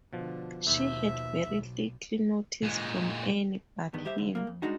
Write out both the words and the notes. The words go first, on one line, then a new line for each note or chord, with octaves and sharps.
She had very little notice from any but him.
B2 D3 F3 D4
D#2 B2 F3 E5
B1
A#2 G#3
E2 G2 D#3 B3
G3 G4 C5 E5
E2 G2 D3
C2 G2 A#3
F2
G3 G#3 D4 D#4 F#4